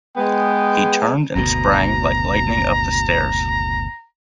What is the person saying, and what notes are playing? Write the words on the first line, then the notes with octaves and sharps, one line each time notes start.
He turned and sprang like lightning up the stairs.
G#3 B3 G5
F#1 D2 B2 A#5